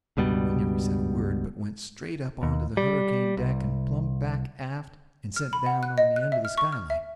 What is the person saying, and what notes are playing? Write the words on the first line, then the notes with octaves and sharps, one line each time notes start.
We never said a word, but went straight up onto the hurricane-deck and plumb back aft, and set down on the end of the sky-light.
C#2 G2 B2 G3
D#2
G3
C2
F6
B5
F#5
F#6
D#5
F#6
E5
F6
C#6
F6
E5